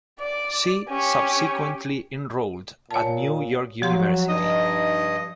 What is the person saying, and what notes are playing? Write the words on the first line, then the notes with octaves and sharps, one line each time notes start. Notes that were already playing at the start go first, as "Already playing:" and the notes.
She subsequently enrolled at New York University.
D5
C#4 G4
A#2 C#5 A5
F3 F#3 G4 C6
G2 D#4 D#5 D#6